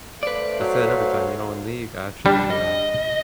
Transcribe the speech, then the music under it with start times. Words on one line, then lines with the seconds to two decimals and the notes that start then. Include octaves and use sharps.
I say it every time, you know, in League, I actually, uh,
0.23 A3 B4 C5 D5 F5
0.60 F#3
2.26 G3 D4
2.50 D#5